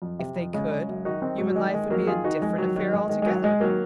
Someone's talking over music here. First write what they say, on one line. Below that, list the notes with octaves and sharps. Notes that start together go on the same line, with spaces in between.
If they could, human life would be a different affair altogether.
F2
C3
F2
C#3 G#3
C#3
F#2
D#3 D#4 F#4
D#3 C4 D#4
G#2 F#3
F#3
D#3 G#3
D#3 G#3
F2 F#3 A#3
D#3 F4 G#4
D#3 D#4 F#4
F2 G#3
D#3 F#3
D#3 F#3
G#2 G#3
D#3 G#3
G#3
D#3 F#3
G#2 G#3
D#3 F#3 A#3